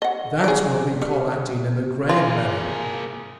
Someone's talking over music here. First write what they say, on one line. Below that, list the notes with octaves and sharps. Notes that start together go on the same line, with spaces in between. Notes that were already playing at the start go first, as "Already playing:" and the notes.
That's what we call acting in the grand manner.
D#5 F#5
G#4 D5
G3
A#3 F4 G#4